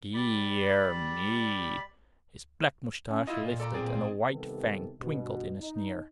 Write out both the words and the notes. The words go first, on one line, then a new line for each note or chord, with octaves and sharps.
"Dear me!" His black moustache lifted and a white fang twinkled in a sneer.
G3 D5 B5
C#4
E4 F4 D#5
A#2
A4 D5 A#5
A#2 C4 G#4 D5
C3 D#3 G3 B3 A4
G2 B2
D#4